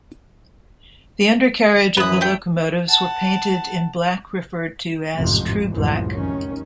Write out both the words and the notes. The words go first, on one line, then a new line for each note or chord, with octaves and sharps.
The undercarriage of the locomotives were painted in black referred to as True Black.
F#2 E3 B4 D#6
A3 G5
F#5 A5
A1 F2 G#2 C3
C2 F#2 A2 E3 F3 G#3
F1 D#3 C#4